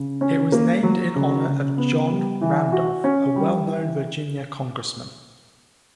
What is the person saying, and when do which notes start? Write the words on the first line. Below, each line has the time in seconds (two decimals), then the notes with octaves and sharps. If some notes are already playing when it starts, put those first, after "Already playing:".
It was named in honor of John Randolph, a well-known Virginia congressman.
Already playing: C#3
0.21 C#4
0.52 A#3
0.83 F#3
1.16 C#3
1.47 C#3
1.78 B3
2.10 G3
2.41 E3
2.72 F#4
3.04 C#4
3.36 G3
3.67 E3